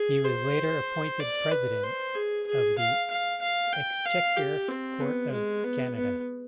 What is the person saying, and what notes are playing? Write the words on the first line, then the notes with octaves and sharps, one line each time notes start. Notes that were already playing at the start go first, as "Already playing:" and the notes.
He was later appointed president of the Exchequer Court of Canada.
Already playing: G#4
C5
D5
B4
C5
G#4
G#4
F5
F5
F5
G5
F5
G4
C4
B3
G#3
B3
B3